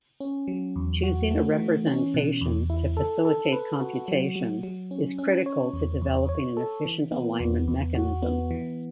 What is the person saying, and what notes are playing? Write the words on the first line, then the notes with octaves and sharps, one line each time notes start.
Choosing a representation to facilitate computation is critical to developing an efficient alignment mechanism.
C#4
F#3
E2
F#4
A3
E3
C#4
B2
E2
E4
A4
A4
B4
F#4
F#3
F#3
F#3
C#4
C#4
C#5
E2
E2
C#5
A4
E3
B3
E2
E2
F#4
B3
E3